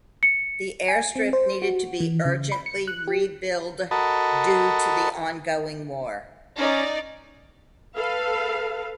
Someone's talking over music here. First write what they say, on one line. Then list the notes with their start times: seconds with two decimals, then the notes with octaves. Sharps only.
The airstrip needed to be urgently rebuild due to the ongoing war.
0.23 C#7
0.88 G#5
1.16 C4
1.33 C5
1.62 F#4
2.00 E3
2.25 C#3
2.52 B5
2.66 C#7
2.88 F#6
3.08 G4
3.91 F#4 A4 A#4 D#5 A5 B5
6.58 C#4 D#4 D5
7.96 A4 B4 F5